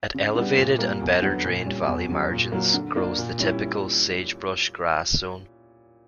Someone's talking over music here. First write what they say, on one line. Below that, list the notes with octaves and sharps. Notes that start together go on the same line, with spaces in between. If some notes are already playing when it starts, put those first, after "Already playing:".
At elevated and better-drained valley margins grows the typical sagebrush-grass zone.
C#3
G3 B3 D4
A#2
G3 A#3
E2
D3 F#3 B3
A#2
G3 C#4
E2
C#3 F#3
A#2
F#3 A#3
D3
A#3 D4
A#2
G3 C#4 E4